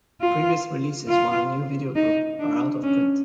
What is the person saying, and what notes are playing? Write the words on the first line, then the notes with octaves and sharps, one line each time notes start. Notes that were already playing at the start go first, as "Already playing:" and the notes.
Previous releases via New Video Group are out of print.
F4
F4
D#4
D4
C#4